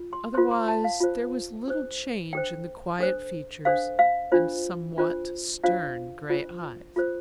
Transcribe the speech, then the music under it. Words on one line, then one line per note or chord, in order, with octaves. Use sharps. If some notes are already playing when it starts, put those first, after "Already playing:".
Otherwise there was little change in the quiet features and somewhat stern grey eyes.
Already playing: F4
C6
F4 C5 C6
C6
A5
F5
F4 C5
D4 A4 C5
D4 A4 C5 G5
D4 A4 C5
D4 A4 C5 F5
F5
D4 F4 C5
D4 F4 C5
D4 F4 C5 F5
D4 F4 C5
F4 A4 C5